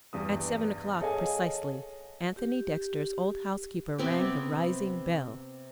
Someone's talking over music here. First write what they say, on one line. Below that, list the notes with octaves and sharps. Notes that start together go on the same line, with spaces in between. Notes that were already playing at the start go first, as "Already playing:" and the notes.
At seven o'clock, precisely, Anthony Dexter's old housekeeper rang the rising bell.
E2 G2 G3 D#6
G#4 A4 C#5 D#5 F5 G#5
G4
C3 B3 C4 G4